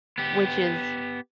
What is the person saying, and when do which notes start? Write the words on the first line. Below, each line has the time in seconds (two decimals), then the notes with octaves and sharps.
which is
0.18 B3 G4